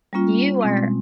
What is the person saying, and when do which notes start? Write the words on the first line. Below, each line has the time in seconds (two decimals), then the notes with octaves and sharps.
You are
0.13 G3 A#3 C#4 F4
0.61 B2 G#3 C4